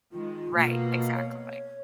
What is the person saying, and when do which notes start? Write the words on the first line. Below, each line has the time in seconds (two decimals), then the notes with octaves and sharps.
Right, exactly.
0.12 D#3 G#3 F4
0.54 B2 A#3
1.15 C#5